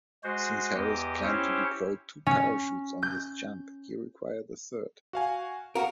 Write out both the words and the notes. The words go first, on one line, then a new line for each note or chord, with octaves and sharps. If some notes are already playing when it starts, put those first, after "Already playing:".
Since Harris planned to deploy two parachutes on this jump, he required a third.
G#3 F#4 C5
E2 G4 D#5
C#4 E4 G4 C5 C#5
C#4
G6
F#4 F5 G#5
F#4 A#4 F5